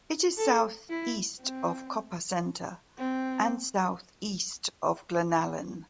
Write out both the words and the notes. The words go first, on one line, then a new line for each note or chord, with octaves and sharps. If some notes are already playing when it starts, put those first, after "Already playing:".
It is southeast of Copper Center and southeast of Glennallen.
A4
E4
C4
C4